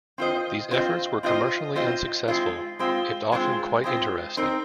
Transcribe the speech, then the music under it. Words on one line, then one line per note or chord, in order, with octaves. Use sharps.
These efforts were commercially unsuccessful, if often quite interesting.
C4 F4 C5 D#5
C4 F4 C5 D#5
C4 F4 C5 D#5
C4 F4 C5 D#5
G#3 C4 F4
G#3 C4 F4
G#3 C4 F4
G#3 C4 F4
C4 D#4 A#4